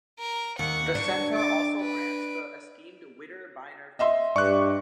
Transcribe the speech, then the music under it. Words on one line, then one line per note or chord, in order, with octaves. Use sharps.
The center also grants the esteemed Witter Bynner Fellowship.
A#4
D#2 F#5 C#6
D4 C#6
D6 A6
B4 D7
D#5 E5 C6
G2 D5 C#6 D6 F#6